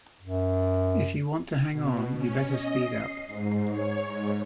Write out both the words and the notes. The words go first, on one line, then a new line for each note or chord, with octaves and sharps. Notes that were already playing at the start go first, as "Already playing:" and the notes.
If you want to hang on you better speed up.
F#2
B2
C#4
D#5
C7
G#2
C#5
G#2